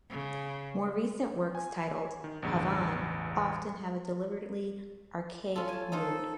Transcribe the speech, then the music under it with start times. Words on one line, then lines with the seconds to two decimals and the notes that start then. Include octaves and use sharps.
More recent works titled "pavane" often have a deliberately archaic mood.
0.10 C#3
1.55 G#5
2.24 D#3
2.42 A1 E2 G2 C#3
5.56 C#4 F4 A4
5.69 G#5 A5
5.92 D#4 F4 A4 C5